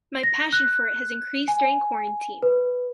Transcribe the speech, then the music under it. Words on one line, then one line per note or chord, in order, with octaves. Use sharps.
My passion for it has increased during quarantine.
A#6
F#6
G#5
B4